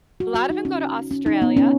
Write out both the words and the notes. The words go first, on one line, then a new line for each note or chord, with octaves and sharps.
A lot of 'em go to Australia.
F#4
F#4
D#4
C#4
C#4
D#4
B3
C#4